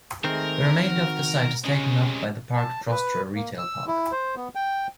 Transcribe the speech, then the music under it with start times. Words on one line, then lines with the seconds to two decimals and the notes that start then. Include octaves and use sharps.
The remainder of the site is taken up by the Parc Trostre retail park.
0.24 D#3 G#3 A3 C4 A#4
0.85 F#4
1.64 C3 G#3 C#4
2.56 A5
2.91 B4
3.35 A#3
3.58 E6
3.88 E4
4.12 C5
4.36 B3
4.55 G5